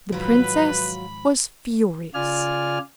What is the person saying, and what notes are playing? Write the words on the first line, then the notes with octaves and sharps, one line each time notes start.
The princess was furious.
G#2 D#3 F3 F#3 F4 B4 B5
C#3 F4 D5 G#5 F6